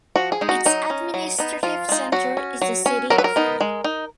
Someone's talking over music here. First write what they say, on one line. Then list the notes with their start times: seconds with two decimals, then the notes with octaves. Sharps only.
Its administrative center is the city of Reni.
0.16 F3 F#4
0.32 G#4
0.41 G#3 D#4
0.49 F#4
0.65 F#3 D#4
0.90 C#4
1.14 F#3
1.38 B3 D#4
1.63 F3 F4
1.89 G#3 D#4
2.12 F#3 F#4
2.37 C#4
2.62 F#3
2.86 C#4
3.10 F#3 A#4
3.18 B4
3.24 A#4
3.36 B3 D#4
3.61 G#3
3.84 D#4